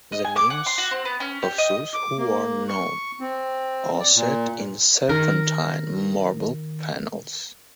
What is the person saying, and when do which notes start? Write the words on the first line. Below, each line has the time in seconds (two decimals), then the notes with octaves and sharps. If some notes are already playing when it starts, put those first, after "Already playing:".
The names of those who are known are set in serpentine marble panels.
0.12 D#5
0.24 G#5
0.36 D6
0.50 F#5
0.66 C6
0.78 F#4
0.91 C4
1.05 B3
1.20 C#4
1.42 G4
1.58 D#5
1.94 D6
2.18 A#3
2.68 C#6
3.21 C4
4.00 D5
4.16 A#2
5.09 D#3 A#4